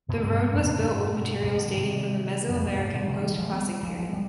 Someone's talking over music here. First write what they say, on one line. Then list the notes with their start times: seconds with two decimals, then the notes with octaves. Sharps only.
The road was built with materials dating from the Mesoamerican Postclassic Period.
0.08 G2 B2
0.23 G2 B2
0.53 F2 G#2
0.68 B2
0.81 G#2
0.92 G2 B2
1.43 G#2 C3
1.58 B2 D3
1.73 C3 D#3
2.48 F2 G#2
2.64 G2 B2
2.79 G#2 C3
2.93 B2 D3
3.08 C3 D#3
3.23 D#3 G3
3.38 F3 G#3
3.53 G3 B3
3.83 F3 G#3
3.98 F3 G#3
4.13 G3